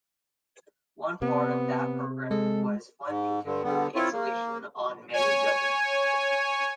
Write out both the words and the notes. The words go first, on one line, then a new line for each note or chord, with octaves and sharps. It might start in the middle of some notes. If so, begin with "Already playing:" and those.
One part of that program was funding to improve insulation on many buildings.
C3 B3
G#3 A4
G#2
G2 D3
D3 G3 B3
C4 E4 F4 C#5
A#3
C#5 G#5